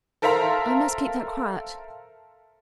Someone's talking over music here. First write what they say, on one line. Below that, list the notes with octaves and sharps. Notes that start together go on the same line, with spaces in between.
I must keep that quiet.
A4 A#4 C5 E5 F5 A#5